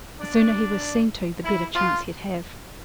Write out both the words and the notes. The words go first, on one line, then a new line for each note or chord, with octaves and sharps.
The sooner he was seen to, the better chance he'd have.
D4
E4
F4